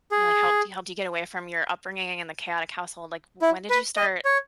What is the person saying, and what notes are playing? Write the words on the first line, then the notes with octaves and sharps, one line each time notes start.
You know, like, helped y helped you get away from your upbringing, and the chaotic household like, w when did you start
G#4
E4
B4
D#5
C#5